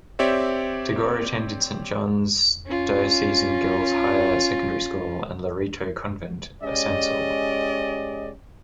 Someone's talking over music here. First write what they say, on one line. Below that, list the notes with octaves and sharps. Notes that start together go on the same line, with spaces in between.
Tagore attended Saint John's Diocesan Girls' Higher Secondary School and Loreto Convent, Asansol.
C4 G4 C#5 D5 E5
C#4 F4
G#3 C#4 G4 D5 D#5